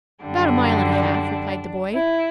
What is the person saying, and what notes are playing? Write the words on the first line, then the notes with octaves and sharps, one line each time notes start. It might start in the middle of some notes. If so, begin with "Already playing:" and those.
"About a mile and a half," replied the boy.
F#2 D3 G3 D4
E4